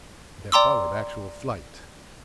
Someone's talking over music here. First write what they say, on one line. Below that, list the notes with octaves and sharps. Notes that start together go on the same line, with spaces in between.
There followed actual flight.
D5 G5 A#5 C6 D6 E6